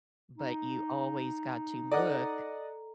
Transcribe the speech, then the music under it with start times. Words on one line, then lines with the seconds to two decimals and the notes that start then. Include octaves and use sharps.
But you always got to look
0.38 D#4
1.92 A4 D5 D#5 F#5 A#5